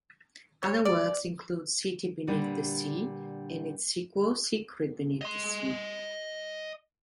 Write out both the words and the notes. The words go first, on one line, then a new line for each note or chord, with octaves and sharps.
Other works include "City Beneath the Sea" and its sequel "Secret Beneath the Sea".
C#5
D5
A#2 D3 G3 D4 G4 B4
D#5 C6